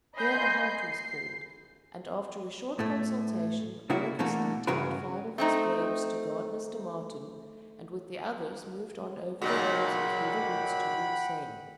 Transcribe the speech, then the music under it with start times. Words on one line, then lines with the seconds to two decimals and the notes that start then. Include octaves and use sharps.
Here a halt was called, and, after a short consultation, Oracus detailed five of his braves to guard Mr. Martin, and with the others moved on over the hills and through the woods toward Salem.
0.16 D#5 G#5 B5 C6 G6 C7
0.68 C7
2.79 A2 A3
3.90 C#3 A#3 E4 F#4
4.19 B2 D3 E3 A3 A#3
4.67 C#2 G2 C#3 F#4 A#4 B4
5.38 A3 C4 D#4
9.42 B1 A#2 C#3 D#4 F#4 F#5 G5 B5